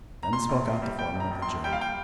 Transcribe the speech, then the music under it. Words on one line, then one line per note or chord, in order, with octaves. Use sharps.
Then spoke out the foreman of the jury.
A#5
A#2 C6
A#1
A#1
G3
G3 G5
A#1
A#5
A#1
C6
A#1
G3 G5
F5
G3 G5